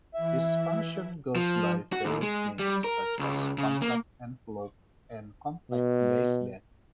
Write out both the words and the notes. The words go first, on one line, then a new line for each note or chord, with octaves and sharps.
This function goes by various names, such as "complex envelope" and "complex baseband".
E3 E4 E5
F3
F#4
D#2
G#3
G3
A#4
C#2
C#3
A#3
B2